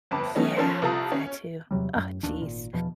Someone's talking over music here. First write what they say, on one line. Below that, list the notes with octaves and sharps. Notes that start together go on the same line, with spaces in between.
Yeah, that too. Oh, jeez.
G1 F2 B4 A5 D6
F#3 A3 C#4 D#4
F3 C#4 A4 A#4 C5
C2 F4 A4 A#5 D#6
C#4
E2 C3 F#3 G3
F#2 A2
D#1 A1 D#2 D4
G#1 A#2
E2 B2 F3